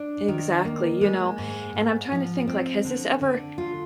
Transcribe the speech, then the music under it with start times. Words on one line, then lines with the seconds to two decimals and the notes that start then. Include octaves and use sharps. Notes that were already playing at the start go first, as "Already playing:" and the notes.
Exactly. You know, and I'm trying to think, like, has this ever
Already playing: D4
0.28 D#3
0.65 A#3
1.01 G#3
1.38 G#2
1.75 G#2
2.12 F3
2.47 C4
2.84 D3
3.22 D3
3.58 F4